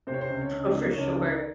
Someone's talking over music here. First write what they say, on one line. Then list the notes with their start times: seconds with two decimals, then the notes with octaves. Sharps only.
Oh, for sure.
0.07 C3 C5
0.14 C#5
0.21 C5
0.30 C#2
0.41 C#5
0.53 C#2
0.75 D#3 D#5
0.84 D5
0.93 C#5
0.98 C#2 D5
1.20 D#3